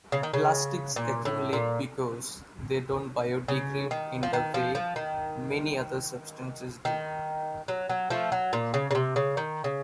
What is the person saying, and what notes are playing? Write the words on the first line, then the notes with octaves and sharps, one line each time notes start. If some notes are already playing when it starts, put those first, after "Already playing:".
Plastics accumulate because they don't biodegrade in the way many other substances do.
C#3
D#3
C#3
A#2
A2
A#2
C#3
D#3
F3
D#3
F3
F3
D#3
D#3
F#3
F#3
F3 A3
F#3
A#2
C#3
C#3
C3
C#3
D#3
C#3